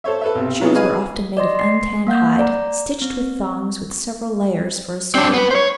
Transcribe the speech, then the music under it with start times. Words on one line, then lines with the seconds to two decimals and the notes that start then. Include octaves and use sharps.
Shoes were often made of untanned hide stitched with thongs, with several layers for a sole.
0.04 A4 C5 C#5 E5
0.21 A4 B4 E5
0.35 B1 C3
0.61 C3 F#3 B3 F4 G#4
0.75 G#4 B4 D#5 F5 G#5
1.37 D5 D#5 C6 A#6
1.55 C6 C7
2.07 A#3 F5 F#5 G6
2.39 D5 A#5
3.02 C4
5.15 C4 D4
5.33 B3 B4
5.51 C5 C#5